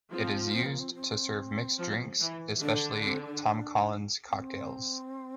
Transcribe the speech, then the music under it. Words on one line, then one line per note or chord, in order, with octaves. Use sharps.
It is used to serve mixed drinks, especially Tom Collins cocktails.
F3 C4
C4
A#3
C4
C4
F3
E3
D3 D4
C4
D4
C4